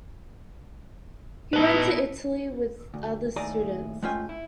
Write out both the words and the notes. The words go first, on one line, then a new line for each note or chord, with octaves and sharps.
He went to Italy with other students.
B3 D#4 E4 B4 A5
D2
D#2 A2 G#4 D5 A#5
G#3 A3 C#4 F4 G5 G#5
E4